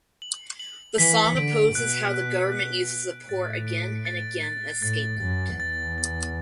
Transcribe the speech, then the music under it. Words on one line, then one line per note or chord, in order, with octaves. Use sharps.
The song opposes how the government uses the poor again and again as scapegoat.
F#7
F#7
E3 B6
D3 D7
B2 F#6
F#6
F#6
F#6
A2 A6
D7
A6
A6
A2 A6
F#2 A6
E2 A6
A6